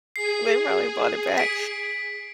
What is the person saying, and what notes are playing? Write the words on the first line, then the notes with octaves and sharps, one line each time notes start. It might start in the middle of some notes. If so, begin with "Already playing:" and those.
they probably brought it back.
G#4 C7
B6 D7